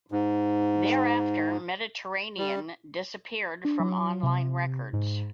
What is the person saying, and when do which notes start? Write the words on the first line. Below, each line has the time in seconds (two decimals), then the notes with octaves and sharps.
Thereafter "Mediterranean" disappeared from online records.
0.12 G#2
2.38 G3
3.65 D4
3.80 F#3
4.23 C3
4.93 G#2